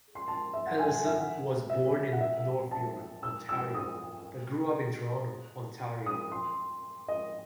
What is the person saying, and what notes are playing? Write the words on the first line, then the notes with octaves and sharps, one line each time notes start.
Allison was born in North York, Ontario, but grew up in Toronto, Ontario.
C6
A5
E5
F#5
G#5
E5
F#5
E5
F#5
E5
E5
A5
E6
E6
D#6
D#6
C6
D#5